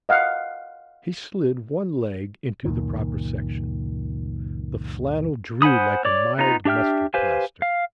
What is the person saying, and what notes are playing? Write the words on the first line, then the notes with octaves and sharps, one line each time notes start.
He slid one leg into the proper section: the flannel drew like a mild mustard-plaster.
D#5 F5 F#5
C#2 F#2 A#2 D#3
C5 F#5 G#5 B5 D#6
C#5 D5 D6
B3 D#4 F4 A#5
D4 G4 E5 G5 F6
G4 B4 C5 F5 G#5
F5